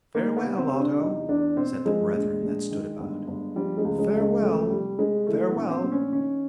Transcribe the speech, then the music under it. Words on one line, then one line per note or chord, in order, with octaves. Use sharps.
"Farewell, Otto," said the brethren that stood about, "farewell, farewell."
D#3 A#3
B3
C2
C4
C2
D4
E2 D#4
E2 D4
B2 C4
F3 G#3
A#1
A#1
D#3
G1
G1
F3 G3
G#3
C#2
G#3
C#2
G#3
F3 A3
C2 G3
C2 G#3
E3 A3
B3
A#1
C4
A#1
C#4
D#3 C#4